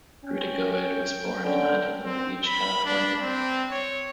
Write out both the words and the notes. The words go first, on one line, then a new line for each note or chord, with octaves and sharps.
Grootegoed was born in Huntington Beach, California.
C#4 G5
D3 C#4 G5
C4
B5
D4
C4
C#5